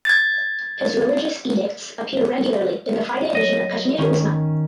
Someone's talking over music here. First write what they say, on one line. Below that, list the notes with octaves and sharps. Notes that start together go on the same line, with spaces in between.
His religious edicts appear regularly in the Friday edition of Kashmir Uzma.
G#6 A6
F#3 C#5 D#5
G1 D#3 C#4